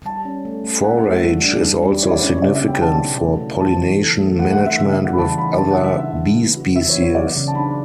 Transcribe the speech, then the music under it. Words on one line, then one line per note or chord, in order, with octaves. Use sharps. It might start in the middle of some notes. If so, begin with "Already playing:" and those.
Forage is also significant for pollination management with other bee species.
G3 A5
C#4
A3
A3
A4 F#5
F#5
A3
E5
G3
D4
G3
G3
E4 C#5
D5
C#4 C#5
C#5
C#3 D5
E5
B3
G5
F#3 A5
B2
A3
E4
E3 A5
E3
A4
A3
A3 F#5
F#5
A3
E5
C#3 E5
E5
G3
F#5
B5
E3 A5
E3 B5
D4 A5
F#5
C#3
E5
E4 E5
E4
B3
F#4
E3 E5
C#5
B3
C#5
F#3 D5
C#3
A5
D4 B5